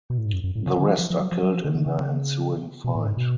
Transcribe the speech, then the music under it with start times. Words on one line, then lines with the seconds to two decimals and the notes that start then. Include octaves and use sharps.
The rest are killed in the ensuing fight.
0.10 B2
0.18 A2
0.25 G#2
0.33 F#2
0.44 F#2
0.55 A2
0.66 C#3
0.77 D3
0.87 F3
0.99 F3
1.10 F3
1.20 F#3
1.32 F3
1.43 F#3
1.53 F3
1.64 D3
1.75 D3
1.86 C#3
2.84 B2
2.95 A2
3.05 G#2
3.17 B2